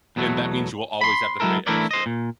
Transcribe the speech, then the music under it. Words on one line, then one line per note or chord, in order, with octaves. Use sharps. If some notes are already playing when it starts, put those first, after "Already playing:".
and that means you will always have to pay extra.
E2 B2 F#3 A3
B5 C6
F#3 G#3 E4 A4 A#4
E3 A3 D4 E4 A#4 D5
C5 D#5
A#2